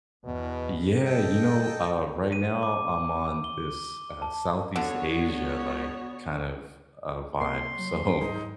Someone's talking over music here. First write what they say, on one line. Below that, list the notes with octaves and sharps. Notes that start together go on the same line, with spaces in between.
Yeah. You know, uh, right now, I'm on this, uh, Southeast Asia, like, kind of, uh, vibe. So,
E2 B2
A4 D#5 G5
D#7
D6
G7
A5
D3 B3 F#4 C#5
C3 A#3 C6
F#3
G#2 G#3 D#4